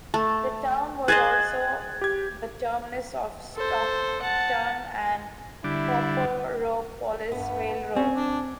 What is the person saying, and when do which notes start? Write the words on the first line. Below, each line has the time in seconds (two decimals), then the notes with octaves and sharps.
The town was also the terminus of the Stockton and Copperopolis Railroad.
0.14 A3 A5
1.08 G#4 C5 D#5 F#6 G#6 A6
2.01 G4 G#6
3.56 A4 C5
4.22 F#5 A5
5.64 D3 G3 D4 E4
7.32 G2 B3
7.96 C4 C#4 G#5
8.13 D4